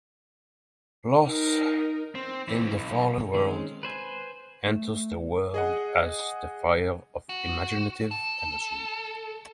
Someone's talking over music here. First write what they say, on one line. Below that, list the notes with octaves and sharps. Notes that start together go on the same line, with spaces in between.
Los, in the fallen world, enters the world as the fire of imaginative energy.
D#4 A#4
C4
E3 C4
B1
D#3 G#3 C4 C#4
B4 C5 G#5
A3
G#4 D#5 F#5
F#4
A4